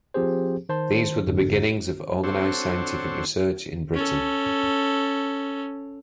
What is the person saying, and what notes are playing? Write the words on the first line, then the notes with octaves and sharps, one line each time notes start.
These were the beginnings of organised scientific research in Britain.
F3 C4 G4 G#4 C5
D#3 C5 A5 C6
G#1 F2 G#2 D3
C4 D4 F#4 A4 C5 C#5
C#4 A4